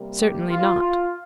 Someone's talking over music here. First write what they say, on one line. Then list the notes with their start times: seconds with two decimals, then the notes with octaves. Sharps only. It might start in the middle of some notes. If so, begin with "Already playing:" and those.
"Certainly not."
Already playing: C3 G3 A#3
0.19 G4
0.49 F4
0.79 F4